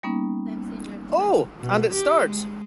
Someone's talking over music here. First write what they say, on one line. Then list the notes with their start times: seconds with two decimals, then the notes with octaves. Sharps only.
Oh! And it starts!
0.03 G3 A#3 B3 C#4 D#4
1.59 B2
1.93 G4
2.26 G#3